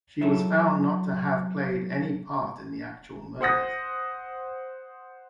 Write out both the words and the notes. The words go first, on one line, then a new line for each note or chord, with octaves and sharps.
She was found not to have played any part in the actual murders.
F#3 D#4 E4 A4 E5
C5 F#5 D#6 A#6